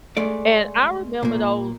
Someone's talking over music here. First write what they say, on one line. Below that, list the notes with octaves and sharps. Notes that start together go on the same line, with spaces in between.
and I remember those
G#3 A3 D5
A#2 A#3